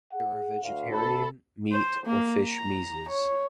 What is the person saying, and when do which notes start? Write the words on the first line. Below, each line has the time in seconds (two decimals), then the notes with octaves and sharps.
There are vegetarian, meat or fish mezes.
0.13 G#4 F#5
0.63 D2 F5
0.92 A4 B5
1.72 C5
2.06 A#3
2.42 A#5
3.09 C#5